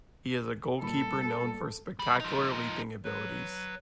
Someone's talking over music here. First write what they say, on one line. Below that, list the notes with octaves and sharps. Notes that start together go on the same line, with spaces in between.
He is a goalkeeper known for spectacular leaping abilities.
G2 A#2 A4 B5
G3
F3 D#4
F#3 B4